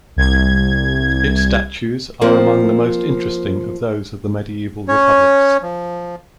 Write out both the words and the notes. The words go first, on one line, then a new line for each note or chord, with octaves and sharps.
Its statutes are among the most interesting of those of the medieval republics.
C2 G#6
F3 A#3 C4
C#4 C#5
F3